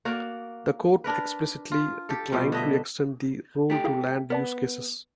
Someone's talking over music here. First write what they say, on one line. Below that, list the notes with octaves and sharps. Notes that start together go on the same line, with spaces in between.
The court explicitly declined to extend the rule to land use cases.
A#3 F#4 D5
D4 A#4 B4
F4
G4 A4
B2 F3 G3
D3 D#5 E5
A3 G4
E4 G#4 F5
B3 A#4 D5 A5